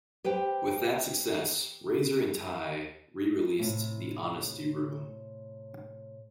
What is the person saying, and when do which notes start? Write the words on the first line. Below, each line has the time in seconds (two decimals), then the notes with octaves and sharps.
With that success, Razor and Tie re-released "The Honesty Room".
0.24 G4 B4 C5 G5
3.59 A2 C3